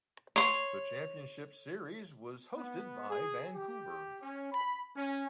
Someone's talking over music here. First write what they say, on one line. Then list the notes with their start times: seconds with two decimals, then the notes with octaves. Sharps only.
The championship series was hosted by Vancouver.
0.36 C#5 C6
2.55 B3
3.09 G#4
3.54 G4
4.22 C#4
4.52 B5
4.96 C#4